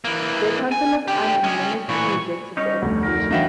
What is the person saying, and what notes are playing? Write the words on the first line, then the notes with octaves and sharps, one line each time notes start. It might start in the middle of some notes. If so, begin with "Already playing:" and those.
The councillors unanimously rejected the application.
E3 A#3
G#5
D3 G4 G5
G#3 C#4
A#2 E3 C#6
G3 C#4 D#4 D#5
F1 D2
D#4 A#4
E3 F#3 D4 D#4 E5 F5 G5